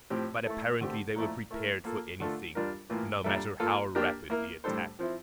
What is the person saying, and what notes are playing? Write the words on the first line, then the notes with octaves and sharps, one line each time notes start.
But apparently they were prepared for anything, no matter how rapid the attack.
A2 F3 C4 G4
A3 E4 A4
D3 A3 C4 G4
A#2 F3 A3 E4
A3 E4 A#4
A#3 F4 A4
D3 A3 D4 F4 A4
G3 D4 F4 A#4
A2 E3 A#3 F4
A#2 G3 D4 A4 E5
A#3 F4 A4
A#3 D4 G4 A#4
A#3 E4 A#4
A2 G3 D4 A4 C5
F3 C4 E4